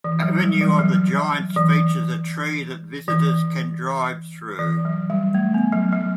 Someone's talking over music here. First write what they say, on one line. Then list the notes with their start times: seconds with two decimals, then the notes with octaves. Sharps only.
Avenue of the Giants features a tree that visitors can drive through.
0.04 E3
0.23 F#3
0.42 G3
0.61 E3
0.79 F#3
1.18 F#3
1.56 E3
3.08 E3
4.59 E3
4.85 F#3
5.10 G3
5.34 A3
5.54 B3
5.72 F#3
5.92 F#3